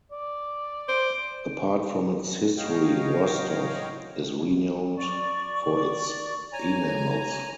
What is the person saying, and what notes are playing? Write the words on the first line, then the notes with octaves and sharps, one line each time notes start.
Apart from its history, Rostov is renowned for its enamels.
D5
C5 D7
A2 F#3 C#5 D#5 F5 G5
D5 C#6
C#5 G#5 A#5